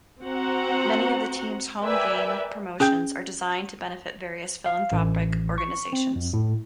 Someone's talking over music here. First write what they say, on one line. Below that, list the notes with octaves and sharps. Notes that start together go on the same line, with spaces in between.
Many of the team's home game promotions are designed to benefit various philanthropic organizations.
C4 F#4 C5 F#5 A#5
A#4 B4 D5 E5 G5 G#5
C#4 G#4 G5 G6
F5
A1
C#6
C4
F2
A2